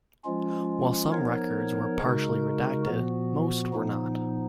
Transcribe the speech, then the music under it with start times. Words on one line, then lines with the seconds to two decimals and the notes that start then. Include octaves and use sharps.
While some records were partially redacted, most were not.
0.25 F3 G#3 C#4 F4
1.12 F3 B3 D#4 A#4 C#5
1.99 C#3 G#3 D#4 F#4 A#4
2.86 A#2 F3 B3 F#4
3.73 A#2 F3 B3 D#4